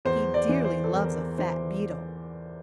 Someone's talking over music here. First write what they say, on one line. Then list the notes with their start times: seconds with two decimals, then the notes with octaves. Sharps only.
He dearly loves a fat beetle.
0.05 E2 C5
0.34 D5
0.49 E3
0.65 C5
0.84 A4
0.94 E2 A#4
1.38 E3 C5